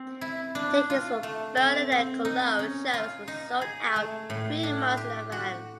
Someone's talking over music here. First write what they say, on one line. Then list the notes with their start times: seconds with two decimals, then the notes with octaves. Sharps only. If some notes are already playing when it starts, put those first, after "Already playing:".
Tickets for Berlin and Cologne shows were sold out three months in advance.
Already playing: C4
0.21 E4
0.55 D4
0.90 F4
1.23 A3
1.57 C4
1.92 C4
2.25 D#4
2.59 C#4
2.93 F4
3.28 D#4
3.62 G#4
3.96 A3
4.30 A2
4.63 D4
4.97 G4
5.32 F#4